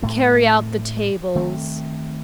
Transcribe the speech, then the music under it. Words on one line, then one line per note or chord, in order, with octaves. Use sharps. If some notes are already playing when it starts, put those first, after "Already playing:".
"Carry out the tables."
A2 A3 C4
D#3 A3 C4